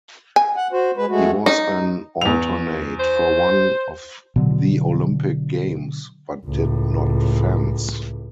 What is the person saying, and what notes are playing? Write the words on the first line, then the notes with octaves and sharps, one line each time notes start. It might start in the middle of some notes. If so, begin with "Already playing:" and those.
He was an alternate for one of the Olympic Games, but did not fence.
G#5
F#5
F#4 C5
G#3 B4
G#3 A3 F#4
D#4
E2 F7
C5
B2 D3 F#3
C#2 A2